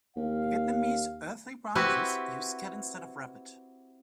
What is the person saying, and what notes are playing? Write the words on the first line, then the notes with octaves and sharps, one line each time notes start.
The Vietnamese Earthly Branches use cat instead of Rabbit.
D#2 F5
C4 E4 F#4 G4 B4